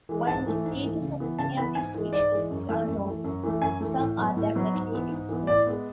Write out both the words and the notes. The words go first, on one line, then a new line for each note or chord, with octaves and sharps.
While the status of many of these species is unknown, some are definitely extinct.
E3 G#3
G#2 A5
E3 A3
G#2
E3 A3
C#3
E3 B3
C#3 A5
E3 B3 B5
G#2 G#5
E3 G#3
G#2 D5
E3 G#3
F#2
E3 A3
F#2
E3 A3
F#2
E3 A3
F#2 G#5
E3 A3
A2
F#3 B3
A2
F#3 B3
G#2
E3 B3
G#2
E3 B3
A2 D5
G#3 B3